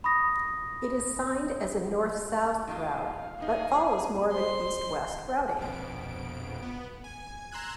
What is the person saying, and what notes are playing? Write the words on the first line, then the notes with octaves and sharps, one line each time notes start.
It is signed as a north-south route, but follows more of an east-west routing.
B5 C#6 D#6 A#6
D#3 G#3 F4 F5
B3 D#4 G#4
C5 C6
A#1 F2 B2 D7
B3
G#5
A#5 C6 E6 F#6 G#6